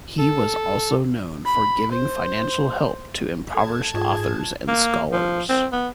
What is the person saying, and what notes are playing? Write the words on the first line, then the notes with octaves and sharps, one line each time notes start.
He was also known for giving financial help to impoverished authors and scholars.
A4
B5
C5
A4 E5 A5 G#6
G#2 D#4 F4 G#4 C#6
A#3
F3
C4
B3